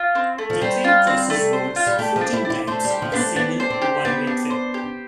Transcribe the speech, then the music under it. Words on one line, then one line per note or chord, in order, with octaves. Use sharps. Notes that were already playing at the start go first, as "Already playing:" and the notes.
The train crosses roads fourteen times on a single one-way trip.
Already playing: F4
C4
A3
F3
G3 C5
F4
C4
A3
C5
F4
G3
A3 G4
F3
D4
E4
D4
E4
A3 C5
G3
G4
F3
B3 D4
A3
B3 D4
C5
C4
G4
B3 D4
D4
C5
G4